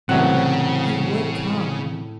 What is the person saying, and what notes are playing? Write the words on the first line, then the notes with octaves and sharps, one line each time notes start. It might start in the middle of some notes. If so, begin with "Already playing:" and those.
He would come!
C2 A2 C#3 E3 F#3 C4 F#5